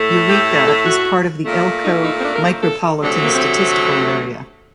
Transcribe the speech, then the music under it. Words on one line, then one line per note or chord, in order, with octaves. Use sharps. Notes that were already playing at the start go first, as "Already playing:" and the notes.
Eureka is part of the Elko Micropolitan Statistical Area.
Already playing: A2 A3
A4
G4
A4
F#4
A#2 A3
D#4
D#4
C4
D4
A#4
C5
A4
D2 C3 F#3 A3 D4
A#3
C4